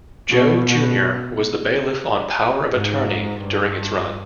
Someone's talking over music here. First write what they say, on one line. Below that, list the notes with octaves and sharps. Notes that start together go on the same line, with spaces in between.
Joe, Junior was the bailiff on "Power of Attorney" during its run.
B2
B2
G#2
G2